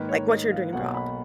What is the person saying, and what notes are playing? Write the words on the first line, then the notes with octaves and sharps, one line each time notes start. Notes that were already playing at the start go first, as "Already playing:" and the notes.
Like, what's your dream job?
Already playing: G#2 D#3 A#3 B4
C#5
D#5
F5
B1 B2 A#3 F#5
B5